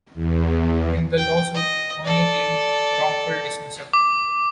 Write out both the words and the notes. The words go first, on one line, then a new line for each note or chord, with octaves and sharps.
In the lawsuit, Onoo claimed wrongful dismissal.
E2
G5
D#5
A4 D5
D6